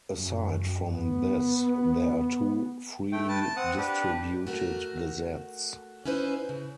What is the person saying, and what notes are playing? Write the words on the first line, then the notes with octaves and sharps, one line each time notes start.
Aside from this there are two freely distributed gazettes.
F#2
B3
A3 G5
B4 A5
A5
C4 F#5 D#6
D4 G4 B4
A3 F#4 A#4
C#4 D#4 E4 B4 C5
C#3